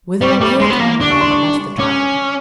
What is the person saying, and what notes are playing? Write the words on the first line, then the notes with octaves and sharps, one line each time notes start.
"Whither away, comrade," asked the traveller.
G3 C#6
G3 D6
G#3 C6
B3
A#3
D4 D6
C#6
C6
C#6
C#4 D6